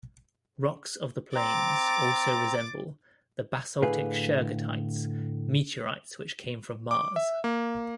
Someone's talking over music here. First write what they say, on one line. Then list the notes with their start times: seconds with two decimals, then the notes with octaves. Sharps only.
Rocks of the plains also resemble the basaltic shergottites, meteorites which came from Mars.
1.36 C4 A#5 D6 A6
3.82 A2 D3 G#4 B4 F5
6.91 D6
7.16 E5
7.44 A#3